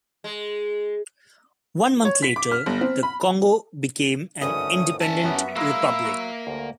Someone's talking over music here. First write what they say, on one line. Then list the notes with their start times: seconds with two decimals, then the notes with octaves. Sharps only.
One month later, the Congo became an independent republic.
0.24 G#3
2.05 C#5
2.23 B6
2.36 D6
2.52 F6
2.66 G1
2.81 C4
3.03 B5
4.41 G#1 D2 G2 A3 C#4 D#6
5.01 C#4 E5 A5
5.23 F#2 G3 B3 F#4
5.56 F#3 G#3 A#3 E4 B5 E6
6.05 F#3
6.47 D2 G2